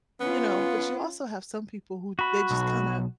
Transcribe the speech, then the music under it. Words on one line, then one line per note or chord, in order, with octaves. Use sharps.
you know, but you also have some people who they just kinda
B3 C#4 F4
F#4 B5
B1